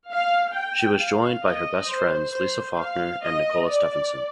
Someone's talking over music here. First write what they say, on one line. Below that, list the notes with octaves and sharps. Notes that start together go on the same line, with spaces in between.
She was joined by her best friends Lisa Faulkner and Nicola Stephenson.
F5
G5
F5
D#5
C5
C5
F5
D#5
D5